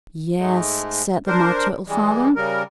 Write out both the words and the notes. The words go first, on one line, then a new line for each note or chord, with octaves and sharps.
"Yes," said the Mud Turtle Father.
G#2 G#3 A3
D4 A#4 C5
E3 G3 G#3
C#3 G3 A#4